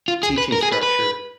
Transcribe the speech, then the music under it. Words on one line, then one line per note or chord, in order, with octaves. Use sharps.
teaching structure.
F4
G#4
B4
A#4
G#4
B4
B4